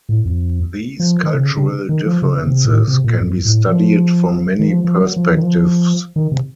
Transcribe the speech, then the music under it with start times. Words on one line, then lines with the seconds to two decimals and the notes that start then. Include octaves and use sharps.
These cultural differences can be studied from many perspectives.
0.09 A2
0.25 F2
0.99 F3
1.23 D#3
1.34 C3
1.40 C#3
1.57 C#3
1.89 D#3
2.06 F3
2.22 C#3
2.47 C3
2.65 A#2
2.71 A2
2.88 C3
3.04 A#2
3.20 F#2
3.45 A2
3.69 F3
4.59 D#3
4.68 F3
4.84 F3
5.01 F#3
5.16 F3
5.35 D#3
5.42 F3
6.16 D#3
6.32 C3